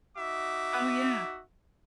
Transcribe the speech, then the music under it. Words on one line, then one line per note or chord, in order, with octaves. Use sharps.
Oh, yeah.
D#4 F#4 E5 D6